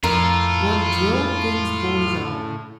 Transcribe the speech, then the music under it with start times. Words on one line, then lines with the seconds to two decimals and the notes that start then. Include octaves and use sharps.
What droll things boys are!
0.04 F2 A2 F4 A#4